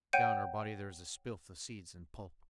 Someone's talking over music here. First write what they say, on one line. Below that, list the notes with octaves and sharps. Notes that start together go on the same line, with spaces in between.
Down her body there was a spilth of seeds and pulp.
C#5 F#5 G5 G6 D7 D#7